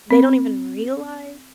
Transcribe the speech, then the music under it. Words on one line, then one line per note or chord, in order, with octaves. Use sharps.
they don't even realize
C4